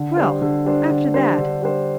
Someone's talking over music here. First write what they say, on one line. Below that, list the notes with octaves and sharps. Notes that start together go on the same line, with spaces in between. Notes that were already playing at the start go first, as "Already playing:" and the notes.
Well, after that...
Already playing: D3
G3 D4 C5
D3
G3 D4 C5
D3
G3 D4 C5
D3
G3 D4 C5